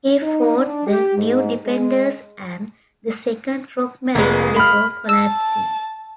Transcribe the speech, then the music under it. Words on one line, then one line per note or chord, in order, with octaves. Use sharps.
He fought the New Defenders and the second Frog-Man, before collapsing.
D#4
D4
G4
G#2
G#3
F1 G#3 A#3 B4
B5 F6
A5 E6